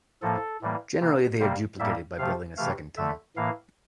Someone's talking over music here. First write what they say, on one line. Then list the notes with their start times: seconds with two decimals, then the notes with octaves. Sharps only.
Generally they are duplicated by building a second tunnel.
0.22 A2 F3 A#3 A4
0.62 A2 E3 G3 A#3
1.00 C3 E3 A#3
1.40 C3 G3 A#3 C5
1.79 A2 G3 A#3 E5
2.18 C3 F3 A3 F5
2.57 C3 E3 A3 F5
2.97 D3 A3 E5
3.36 A2 E3 A#3 F5